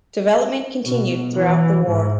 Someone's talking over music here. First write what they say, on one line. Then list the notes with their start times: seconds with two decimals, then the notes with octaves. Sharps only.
Development continued throughout the war.
0.84 B2
1.37 E3
1.86 G#2